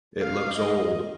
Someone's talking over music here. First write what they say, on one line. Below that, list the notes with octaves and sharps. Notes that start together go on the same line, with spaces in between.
It looks old.
F5
D#5